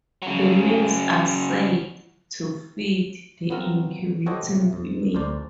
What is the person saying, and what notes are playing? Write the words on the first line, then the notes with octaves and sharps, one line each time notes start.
The males are said to feed the incubating female.
C#3 F#3
F#3 B3 C4 F4 F#4 A#4
F#4 G4 A4 C5 C#5 D#5
C3 F3
F2
D2 A#4 C5 D5